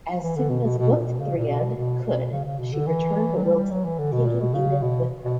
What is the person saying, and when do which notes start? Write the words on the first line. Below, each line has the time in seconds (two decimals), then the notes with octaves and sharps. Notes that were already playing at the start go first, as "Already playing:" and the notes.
As soon as Wulfthryth could, she returned to Wilton, taking Edith with her.
0.22 E3
0.36 D3
0.50 B2
0.64 B2
0.78 B2
0.92 A#2
1.06 B2
1.20 C#3
1.37 A#2
1.47 B2
1.76 B2
2.03 B2
2.31 C#3
2.45 C#3
2.59 B2
2.73 D3
2.87 E3
3.36 F#3
3.43 G3
3.56 G3
3.71 F#3
3.84 E3
3.99 D3
4.12 B2
4.26 A#2
4.40 B2
4.54 C#3
4.82 B2
5.24 B2